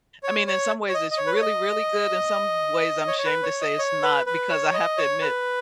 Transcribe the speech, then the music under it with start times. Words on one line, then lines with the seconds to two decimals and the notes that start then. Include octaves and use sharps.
I mean, in some ways it's really, really good. In some ways, I'm shamed to say it's not, because I have to admit,
0.23 C#5
0.47 C#5
0.89 C#5
0.94 D#5
1.11 D#5
1.18 C#5
1.27 B4
1.34 C#5
1.42 D#5
3.07 C#5
3.18 C#5
3.25 B4
3.43 C#5
3.61 D#5
3.79 C#5
4.03 B4
4.26 B4
4.50 C#5
4.74 D#5
4.98 C#5
5.22 B4